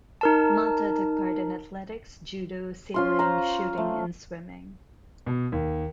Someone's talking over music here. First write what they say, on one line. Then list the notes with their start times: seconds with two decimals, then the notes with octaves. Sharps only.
Malta took part in athletics, judo, sailing, shooting and swimming.
0.21 D#4 A#4 A5
2.94 C#4 F4 C6
3.19 C5 F5 A#5
3.77 A3
5.26 B2
5.52 D#2